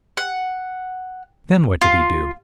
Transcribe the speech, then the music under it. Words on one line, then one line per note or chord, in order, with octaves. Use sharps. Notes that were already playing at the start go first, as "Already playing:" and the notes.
Then what did he do?
F#5
F4